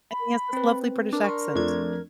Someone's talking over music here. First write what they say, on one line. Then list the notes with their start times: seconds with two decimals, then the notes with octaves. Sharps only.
and he has this lovely British accent.
0.12 B5
0.53 C4 B4
1.13 D4 A#4
1.24 C6 C#6
1.55 F2 A3 D4 G#6